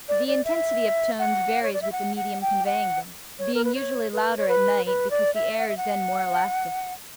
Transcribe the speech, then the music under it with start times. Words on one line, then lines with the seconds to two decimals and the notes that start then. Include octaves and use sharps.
The intensity of tones varies with the medium conveying them, being usually louder at night because the air is then more elastic.
0.09 D5
0.27 D5
0.45 E5
1.19 F#5
1.63 C#5
1.73 D5
1.82 E5
1.92 F#5
2.16 F#5
2.42 G5
2.66 F#5
3.39 C#5
3.54 A#4
3.64 B4
3.75 C#5
4.13 B4
4.37 C#5
4.48 B4
4.86 B4
5.11 D5
5.35 E5
5.59 F#5
5.68 E5
5.77 F#5